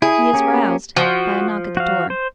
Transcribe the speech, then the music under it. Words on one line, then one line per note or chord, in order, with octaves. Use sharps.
He is roused by a knock at the door.
E4 G#4
A#3 C#4 G4
F3 F#4
F#4 F5
C5